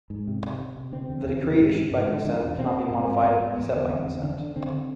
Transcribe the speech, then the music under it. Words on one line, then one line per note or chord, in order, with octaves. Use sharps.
The decree issued by consent cannot be modified, except by consent.
G#2
C3
C3
C3
C3
D3 C4
E2
E2
D3
G#2
G#2
G#2
G#2
E2 D4
B2
B2 C4
B2
G#2 C4
G#2
G#2 B3
G#2
E2 B3
D3
E2 C4
D3
D3 D4
D3
D3 C4
D3